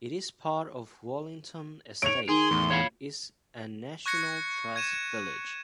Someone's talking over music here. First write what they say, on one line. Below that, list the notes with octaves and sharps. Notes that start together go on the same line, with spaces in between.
It is part of Wallington Estate, and is a National Trust village.
C#5 D7 F7
D#3 G#4 C6
E2 A2
C#5 F5 B5
C#6 F#6 G#6 A#6 C#7
G#6 D#7 E7